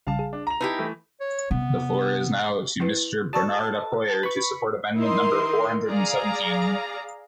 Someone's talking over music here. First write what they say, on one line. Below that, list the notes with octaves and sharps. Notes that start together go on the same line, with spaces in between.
The floor is now to Mister Bernard Accoyer to support amendment number four-hundred-and-seventeen.
A#1 C#3 G3 F5 A5
G#4
D4
A#5 F7
D#4 E4 G4 B4 A5
E3 A3
C#5
C3 B3
A3 E4 B4
F#4 A4 D5 A5 C#6
B4 B5 C#6
D#3 D#4 E4 A#4 C6
G#4 D5 F5 A#5